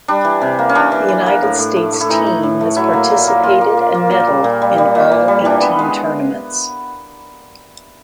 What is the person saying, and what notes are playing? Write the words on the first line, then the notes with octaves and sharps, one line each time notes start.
The United States team has participated and medaled in all eighteen tournaments.
G3 D4
E3
C3
A#3
C#4
E3 D4
E3
E3
A#3
A2
A2
A3
A3
E4
E3 D#4
E3
A2
A3
F#3 E4
A#3
A#2
A#3
A#2 F4
A#3
A#3
A#3
A#2
G3
A#2
G3
G3
A#2
A#2
G3
E3 D4
B3
G#3